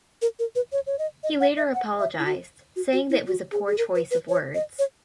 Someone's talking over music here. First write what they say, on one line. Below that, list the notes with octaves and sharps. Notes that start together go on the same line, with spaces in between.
He later apologized, saying that it was a poor choice of words.
A#4
A#4
B4
C#5
C#5
D#5
D#5
F#5
E5
F#5
E5
E4
F#4
F#4
F#4
E4
F#4
G#4
G#4
A#4
B4
B4
C#5
D#5
C#5